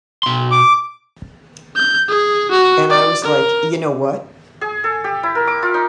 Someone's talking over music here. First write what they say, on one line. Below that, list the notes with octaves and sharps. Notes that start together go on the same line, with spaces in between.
And I was, like, You know what?
B2 C6
D6
G6
G#4
F#4
D5
A#4
G#4
A4
G4
E4
A#4
D6
F4
D#4